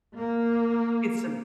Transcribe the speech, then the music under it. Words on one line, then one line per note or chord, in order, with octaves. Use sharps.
It's m
A#3